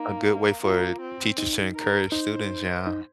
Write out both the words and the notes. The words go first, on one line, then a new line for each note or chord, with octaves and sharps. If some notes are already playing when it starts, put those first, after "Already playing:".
A good way for teachers to encourage students, yeah.
Already playing: A#3 D#4
A#3 F4
C4
D#4
A#4
D#4 C5
D#4